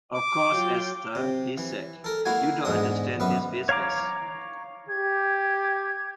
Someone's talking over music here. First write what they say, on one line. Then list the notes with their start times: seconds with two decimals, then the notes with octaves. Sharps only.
"Of course, Esther," he said, "you don't understand this business?"
0.15 D6
0.51 F#3 F4 G5
1.15 C3
1.58 E3
2.04 A4 A#4
2.25 A#3 E4 F#4 G#5
2.65 E2 G#2 G#3 D4 D#6
3.20 F#2 B3 B4 E5
3.69 C#5 F5 A#5 D6
4.89 G4 G#6